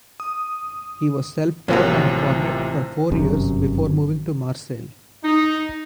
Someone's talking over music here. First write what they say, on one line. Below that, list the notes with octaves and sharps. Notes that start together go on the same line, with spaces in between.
He was self-taught on cornet for four years before moving to Marseille.
D#6
A1 C3 F3 F#3 A#3 C#4
G1 F#2 C3
D#4